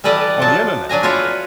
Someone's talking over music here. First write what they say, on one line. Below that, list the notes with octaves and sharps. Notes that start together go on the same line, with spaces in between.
on the Internet."
E3 G3 A4 B4 D5 D#5
F3 F#3 A5
F#3 D4 G#5 A#5
F4 F#4 B4 C#5 E5